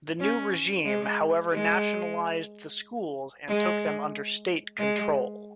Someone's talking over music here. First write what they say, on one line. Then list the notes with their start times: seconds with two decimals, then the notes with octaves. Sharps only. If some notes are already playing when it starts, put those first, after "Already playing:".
The new regime however nationalised the schools and took them under state control.
0.20 C#4
0.85 G#3
1.51 G#3
3.48 G#3
4.79 G#3